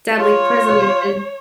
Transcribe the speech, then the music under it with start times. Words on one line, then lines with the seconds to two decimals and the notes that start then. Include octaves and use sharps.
deadly prison is in
0.18 F4 C#5